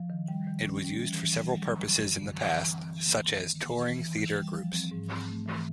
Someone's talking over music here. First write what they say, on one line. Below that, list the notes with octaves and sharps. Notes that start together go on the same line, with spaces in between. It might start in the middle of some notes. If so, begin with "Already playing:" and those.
It was used for several purposes in the past, such as touring theater groups.
Already playing: F3
D#3
G3
D#3
C#4
G3
E3
E3
G3
F#3
D3
F#2
D3
E3
E3
C4
E3
A#3
A#3
D#3
A#3
E3
E3
E3
G3
F3
C4
G#2
C4
A3
E3